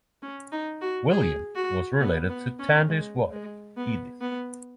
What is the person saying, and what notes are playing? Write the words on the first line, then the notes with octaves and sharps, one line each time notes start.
William was related to Tandey's wife Edith.
C#4
D#4
F#4
G#4
F#4
B3
B3
C#4
G#3
G#3
B3
B3